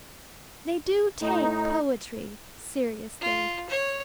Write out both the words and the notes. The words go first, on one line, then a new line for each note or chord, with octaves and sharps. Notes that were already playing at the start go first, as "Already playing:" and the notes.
They do take poetry seriously.
A2 D#4
F4
C#5